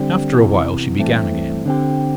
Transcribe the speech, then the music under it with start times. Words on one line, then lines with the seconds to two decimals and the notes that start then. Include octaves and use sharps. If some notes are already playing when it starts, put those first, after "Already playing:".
After a while, she began again.
Already playing: D3 G3 C4
0.34 E2 C3 E3
0.99 G2 E3 A3 C4
1.65 D3 C4 G4